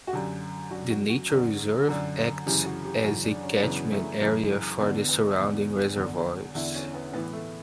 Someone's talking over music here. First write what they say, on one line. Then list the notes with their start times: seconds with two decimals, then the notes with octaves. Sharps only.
The nature reserve acts as a catchment area for the surrounding reservoirs.
0.07 F#4
0.13 F#2 D3 G4
0.70 F#2 D3 F#4
0.90 F#4
1.09 F#4
1.30 F#2 D3
1.89 F#2 D3
2.46 F#2 C#3 E3 G4
2.66 F#4
2.85 G4
3.04 F#2 C#3 E3 F#4
3.24 D4
3.43 C#4
3.63 F#2 C#3 E3 B3
3.92 A3
4.22 F#2 C#3 E3
4.79 E2 D3 B3
5.09 B3
5.39 E2 D3
5.96 E2 D3
6.55 E2 D3 E4
6.75 C#4
6.94 B3
7.13 A2 B3
7.17 E3
7.33 A3